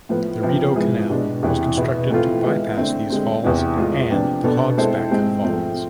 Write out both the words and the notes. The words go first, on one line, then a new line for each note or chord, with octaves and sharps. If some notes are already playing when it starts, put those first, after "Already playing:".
The Rideau Canal was constructed to bypass these falls and the Hog's Back Falls.
A2 F3 B3
C3 F3 B3
G#2 F3 B3 E4 G#4
B2 G#3 D4
E2 C3 E3 B3
B2 B3 E4 G#4
A2 E3 A3 C4 F4
E3 G#3 B3 E4
D3 A3 C4
D3 G#3 C4
E2 C3 E3 B3
A2 G#3 B3 F4 G#4
C3 F3 B3 D4
B2 B3 D4 A4
G#3 C4 E4 A4 C5
G#2 G#3 C4
F3 A3 C4